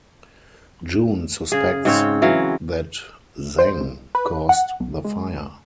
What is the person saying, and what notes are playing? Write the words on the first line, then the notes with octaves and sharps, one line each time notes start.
Jun suspects that Zeng caused the fire.
C#3 G#4
G#2 C#3 C4 C#5
E3 F#3 F5
C5
C2
B4
F#5
B1
G#3